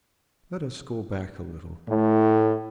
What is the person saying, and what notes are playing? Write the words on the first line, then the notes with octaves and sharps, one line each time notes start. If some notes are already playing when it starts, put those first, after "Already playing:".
Let us go back a little.
A2